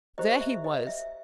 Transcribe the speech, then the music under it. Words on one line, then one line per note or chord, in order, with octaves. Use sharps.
There he was.
E4 G4 C5 D#5
E5
D#5
E5